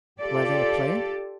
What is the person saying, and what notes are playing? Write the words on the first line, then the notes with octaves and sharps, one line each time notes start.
"Where they are playing?"
F4 G4 A4 D5